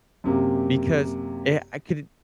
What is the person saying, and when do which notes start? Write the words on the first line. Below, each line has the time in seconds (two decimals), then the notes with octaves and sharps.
because, eh I could it
0.24 F#2 C3 A#3 G4